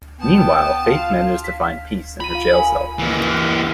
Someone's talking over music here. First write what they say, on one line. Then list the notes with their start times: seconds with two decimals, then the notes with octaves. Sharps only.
Meanwhile, Faith manages to find peace in her jail cell.
0.20 B3 G5 A5
0.84 F4 F5
1.44 B6
2.21 F4 B5 D#7
2.35 F5
2.51 A#4 F5 G#5
2.99 E3 A#3